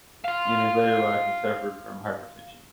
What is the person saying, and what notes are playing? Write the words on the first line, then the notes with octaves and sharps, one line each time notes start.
In his later life he suffered from hypertension.
F5 C6